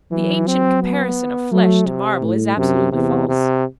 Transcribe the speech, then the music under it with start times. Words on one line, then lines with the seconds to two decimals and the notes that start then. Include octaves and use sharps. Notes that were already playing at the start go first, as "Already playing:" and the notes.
The ancient comparison of flesh to marble is absolutely false.
0.11 E3 F#3
0.47 C4
0.82 B3
1.52 F#3 A3
1.87 C3
2.22 A2
2.57 F#2 C3
2.92 E2 C3
3.28 C3